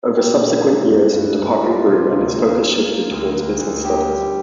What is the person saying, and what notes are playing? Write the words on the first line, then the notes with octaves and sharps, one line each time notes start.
Over subsequent years the department grew and its focus shifted towards business studies.
A#2 G4
A#2
G3
G2
G2
G2
G3 F4
C3
D2
A#3
A#3
A#3
D2
D2
D2
A#3 G4
G3